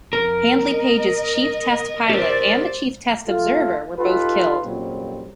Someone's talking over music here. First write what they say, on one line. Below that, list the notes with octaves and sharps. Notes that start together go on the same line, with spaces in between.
Handley Page's chief test pilot and the chief test observer were both killed.
F2 A#4
D#5
G4 A#4 C5 D5
A3 F4 A4
D#4 F4 G4 A4 B4
F2 A#2 C#3 F#3 G3 C4